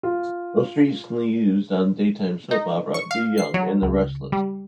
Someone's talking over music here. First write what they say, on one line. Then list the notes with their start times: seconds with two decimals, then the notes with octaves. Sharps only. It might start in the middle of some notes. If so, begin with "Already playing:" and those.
Most recently used on daytime soap opera "The Young and the Restless".
0.03 F4
2.51 D#4
2.94 C#6
3.11 F5
3.38 C7
3.54 F#3
3.82 C#2
4.32 G3